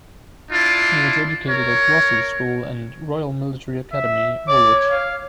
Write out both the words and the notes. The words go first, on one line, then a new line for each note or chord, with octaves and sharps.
He was educated at Rossall School and Royal Military Academy, Woolwich.
D4 E4 F4
A#4 C#5
E5
C#5 D6
F5